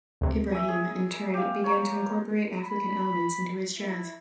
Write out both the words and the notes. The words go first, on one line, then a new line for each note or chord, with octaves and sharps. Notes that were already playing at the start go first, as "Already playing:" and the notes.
Ibrahim in turn began to incorporate African elements into his jazz.
D2 C3
E5 G#5
G#4
G4 F5
C#5 A#5
B5
E4